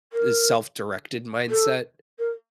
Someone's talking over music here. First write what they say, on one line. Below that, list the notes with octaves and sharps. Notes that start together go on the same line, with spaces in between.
the self-directed mindset,
A#4
A4
A#4